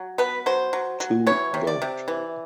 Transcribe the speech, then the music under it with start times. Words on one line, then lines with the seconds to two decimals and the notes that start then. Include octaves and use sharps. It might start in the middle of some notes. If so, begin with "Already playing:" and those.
Two don’t.
Already playing: F#3
0.18 B3 B4
0.46 F#3 C5
0.73 F#3
1.00 F#3
1.27 E3 C#5
1.54 C3
1.67 D5
1.82 C3
2.08 E3